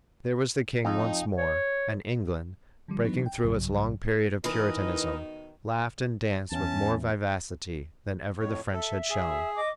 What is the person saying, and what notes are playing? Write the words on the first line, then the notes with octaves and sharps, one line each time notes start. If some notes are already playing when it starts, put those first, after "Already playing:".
There was the king once more; and England, breaking through its long period of Puritanism, laughed and danced with more vivacity than ever the French had shown.
F2 D#4
C#5
D3 F3 G3
E3 F#3 B3 D4 D#4
G5
B1 G2 C#3 F#3
B2 D#3 E3 D#4 A#4 B4 D#5
E2 C#4 A5
F2 A2 C#5
A4 E5
G#4
D#5 D6